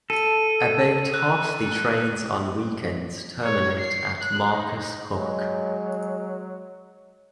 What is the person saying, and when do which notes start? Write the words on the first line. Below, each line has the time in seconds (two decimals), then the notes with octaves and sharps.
About half the trains on weekends terminate at Marcus Hook.
0.10 A4 D#7
1.14 F#6
3.44 C#5
3.79 C7
4.21 F#6
4.53 D#4
5.13 F#3 G#3